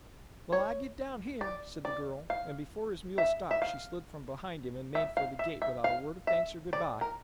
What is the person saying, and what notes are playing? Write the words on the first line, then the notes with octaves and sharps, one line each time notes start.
"Well, I git down here," said the girl, and before his mule stopped she slid from behind him and made for the gate without a word of thanks or good-by.
C#5
D5
D5
F5
E5
E5
F5
E5
F5
E5
E5
F5
E5
D5
A#4